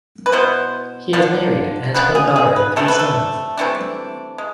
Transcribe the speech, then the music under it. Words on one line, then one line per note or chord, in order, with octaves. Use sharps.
He is married and has one daughter and three sons.
B4
B2 B3 E4 C5
D3 F3 B3 D4
D3 F3 B3 D4 B4
G#4
G#4
B4
C3 E3 A3 D4 A4
B4
A4
C3 E3 A3 D4
G#3